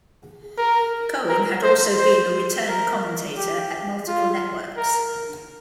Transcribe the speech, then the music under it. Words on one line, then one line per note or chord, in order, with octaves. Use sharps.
Cohen had also been a return commentator at multiple networks.
A#4
A#4
C5
C5
A#4
G4
F4
A#4